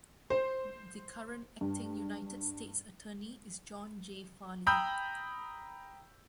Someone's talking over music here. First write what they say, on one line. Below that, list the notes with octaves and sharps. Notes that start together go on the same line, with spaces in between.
The current Acting United States Attorney is John J. Farley.
C5
G2
G5 A#5 B5 D#6 E6 G6